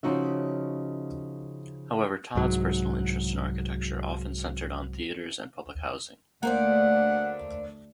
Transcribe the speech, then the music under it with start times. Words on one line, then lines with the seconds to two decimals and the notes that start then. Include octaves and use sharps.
However, Todd's personal interest in architecture often centered on theaters and public housing.
0.03 C#3 F3 D#4 F#4 E5
2.35 C2 G#2 F#3
6.43 D2 A3 A#3 D4 C5 D5 F#5